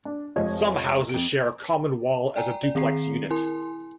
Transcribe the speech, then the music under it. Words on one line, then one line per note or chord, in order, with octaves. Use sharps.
Some houses share a common wall as a duplex unit.
D4
F1 F3 G#3 C#5 D#5 G#6
F2 D7
D5 G5 G#5 A#5
D5
D#3 C4 G#4 A#5 C7
E4 A#4 G#5 C6